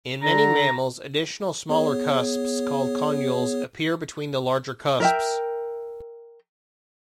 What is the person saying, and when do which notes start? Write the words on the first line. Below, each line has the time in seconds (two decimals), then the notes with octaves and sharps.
In many mammals, additional smaller cusps called conules appear between the larger cusps.
0.22 D3 A#5
1.69 B3 G#4 C#5
5.00 A#4 E5 G5